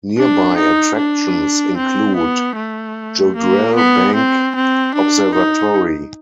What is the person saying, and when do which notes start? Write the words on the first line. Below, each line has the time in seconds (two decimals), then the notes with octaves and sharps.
Nearby attractions include Jodrell Bank Observatory.
0.18 D4
0.57 D#4
0.97 D4
1.77 C4
2.16 B3
2.56 A3
3.36 A#3
3.76 B3
4.15 C4
4.56 C4
4.95 D4
5.35 D#4